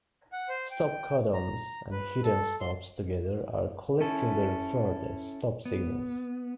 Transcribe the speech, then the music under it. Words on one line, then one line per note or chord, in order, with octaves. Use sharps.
Stop-codons and hidden stops together are collectively referred as stop-signals.
F#5
C5
G5
A#5
B4
A4
C6
C#4 E4 A4
B3